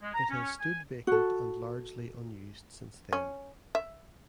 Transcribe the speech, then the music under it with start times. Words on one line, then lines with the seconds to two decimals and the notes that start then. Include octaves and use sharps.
It has stood vacant and largely unused since then.
0.02 G#3
0.14 A#5
0.30 C#4
0.60 G#5
1.07 F#4 A4
3.13 C#4
3.75 E5